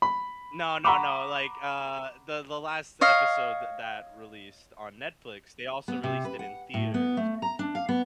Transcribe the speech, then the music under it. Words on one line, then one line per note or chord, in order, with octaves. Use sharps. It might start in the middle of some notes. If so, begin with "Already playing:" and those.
No, no, no, like, uh, the the last episode th that released on Netflix, they also released it in theaters.
B5
F#5 A#5 B5 C#6 D6
C#5 D#5 F5
B3
C3
B4
F#5
A2
B3
A3
A#5
D4
F5
B3